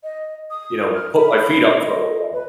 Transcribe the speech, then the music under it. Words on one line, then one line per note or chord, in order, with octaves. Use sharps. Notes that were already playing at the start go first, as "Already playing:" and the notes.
you know, put my feet up for a little while.
D#5
D#6
F6
B5
D#5
B4